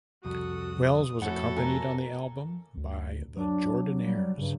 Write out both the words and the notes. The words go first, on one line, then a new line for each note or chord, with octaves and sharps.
Wells was accompanied on the album by the Jordanaires.
C2 F2 F#4 A4 D#6
F2 A3 C#4 E4 F#4 A4 F#5
A#4 G#5
D2
F#3 D4
G3
G2 C#3